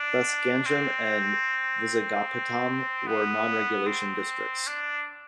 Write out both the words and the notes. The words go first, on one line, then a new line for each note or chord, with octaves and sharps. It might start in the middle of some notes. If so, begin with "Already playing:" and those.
Thus Ganjam and Vizagapatam were non-regulation districts.
Already playing: D4
C4
B3
C4
D4